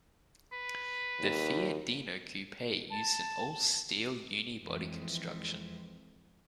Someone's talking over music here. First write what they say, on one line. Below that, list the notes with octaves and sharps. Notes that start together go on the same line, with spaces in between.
The Fiat Dino coupe used an all-steel unibody construction.
B4
D#2
A5
F2 E3 G#3